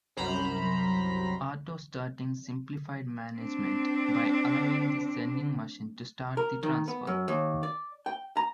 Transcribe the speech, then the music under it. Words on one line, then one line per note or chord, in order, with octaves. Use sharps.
Auto-starting simplified management by allowing the sending machine to start the transfer.
C2 F#2 C5 A#5 B5
C4 D4
A#4
D#3
B3
F#2
D#2
D5
G5
A#5